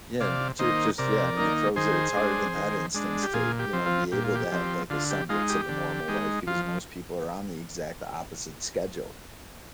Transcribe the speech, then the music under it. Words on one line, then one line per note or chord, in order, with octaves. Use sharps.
yeah, j just, yeah, I mean, it throws it it's hard in that instance to, you know, be able to have, like, a semblance of a normal life because most people are on the exact opposite schedule,
C3 D5 F5
D#3 A#3 D#4 C5 D#5
C3 A#4 D5
D#3 A#3 D#4
D#3 G#4 C5
G#3 D4
D#3
G#3 D4
G4
A#2 F4 G#4
G4
F3 C4
F4
A#2 G4
F4
G4
F3 C4
D3 F4
G4
G#3 D#4 F4
G4
D3
G#3 D#4
F3 F4